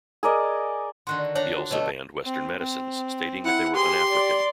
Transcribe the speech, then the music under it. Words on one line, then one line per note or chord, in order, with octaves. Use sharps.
He also banned Western medicines, stating that they were un-African.
G#4 A#4 D5 D#5
D3 D#3 F#4 C6 F#6
D5
D4 C#5 F#5 A#5
F#4
B2 A3 C#5 D#5
C4
C4
E4 F#5
G4 G#4 C6
D5